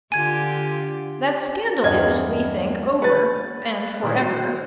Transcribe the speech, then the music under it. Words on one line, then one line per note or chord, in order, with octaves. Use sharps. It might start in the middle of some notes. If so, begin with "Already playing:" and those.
That scandal is, we think, over,--and for ever.
D3 F4 G4 G#5 G#6
E2 G2 A#3 D#5 G#6
B4 F#5 G#5 A6
A#2 D#3 E4
F#4 C5 D#5